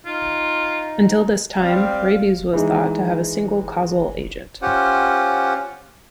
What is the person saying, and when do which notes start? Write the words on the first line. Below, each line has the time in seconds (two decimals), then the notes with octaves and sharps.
Until this time, rabies was thought to have a single causal agent.
0.06 D#4 F4
1.60 G3 C4 F5
2.53 E3 G#3 D#4
4.62 C#4 F4 G4 C5 F#5